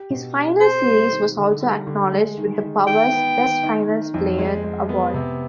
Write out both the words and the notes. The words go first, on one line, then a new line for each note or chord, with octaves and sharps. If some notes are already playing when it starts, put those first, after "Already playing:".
His finals series was also acknowledged with the Power's 'Best Finals Player' award.
Already playing: G4
B2
G4
C4 C5
G3
D#3
D3
G3
D3
G#3
D#3
D#3
D#3 G5
B3
D#3
D#3
D#3
F2
G#3
G#3
B3
C3